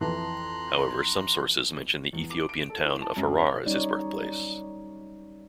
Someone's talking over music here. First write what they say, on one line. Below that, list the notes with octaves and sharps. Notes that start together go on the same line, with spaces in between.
However, some sources mention the Ethiopian town of Harar as his birthplace.
F2 E3 A#5 C6 F#6
E2
D6
D7
A4
E4
A5
F#2
C#5
F#3 G3 C#4 D#4 C#5 D5